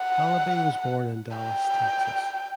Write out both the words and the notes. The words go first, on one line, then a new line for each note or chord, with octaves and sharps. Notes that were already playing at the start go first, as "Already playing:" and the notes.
Halaby was born in Dallas, Texas.
Already playing: F#5
G5